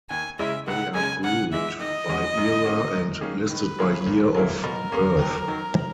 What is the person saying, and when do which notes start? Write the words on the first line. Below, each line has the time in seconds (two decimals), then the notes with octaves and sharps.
They are grouped by era and listed by year of birth.
0.10 D#2 G#5
0.39 C#3 G#3 C#4 E4 E5
0.67 C#2 F#5
0.95 C#3 G#3 C#4 G#5
1.24 C#3 F#5
1.53 E3 G#3 E5
1.80 D#3 D#5
2.09 G#3 C#4 F#4
2.37 F#2
2.65 D#3 A#3 C#4 F#4
2.93 F#2
3.21 D#3 A#3 C#4 G#4
3.50 D#3 B4
3.79 F#3 A#3 E4 G#4
4.06 A#2
4.35 F#3 A#3 E4
4.63 B2 A#4
4.92 A#3 C#4 G#4
5.19 D#2
5.48 D#3 F#3